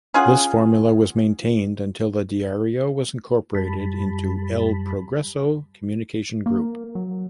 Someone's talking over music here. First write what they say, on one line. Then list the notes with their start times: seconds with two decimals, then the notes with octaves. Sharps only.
This formula was maintained until the Diario was incorporated into "El Progreso" Communication Group.
0.14 C#4 F4 G#4 F#5
3.55 F#2 G3 A5 B5
6.46 A#3
6.95 F#3